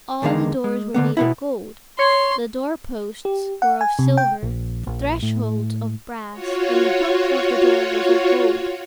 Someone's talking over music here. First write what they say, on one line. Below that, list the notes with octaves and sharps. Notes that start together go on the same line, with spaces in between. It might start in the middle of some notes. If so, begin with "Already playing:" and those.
All the doors were made of gold, the doorposts were of silver, the thresholds of brass, and the hook of the door was of gold.
E2 D3 D#3 G#3 F5
G#3
D3 A#3 B3
B2 B3 E4
C#5 C6
G4
F#5
G#5
C3
G5
A#1
A#1
A2
F4 F#4 C#5